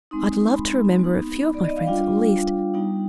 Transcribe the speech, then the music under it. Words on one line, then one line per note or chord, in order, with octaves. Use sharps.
I'd love to remember a few of my friends at least.
G#3 C4 D#4 C6
B5
B3 D#4
B5
D5
D#5
F5
G3 D4 F4 G5
G3 B3 D#4 G5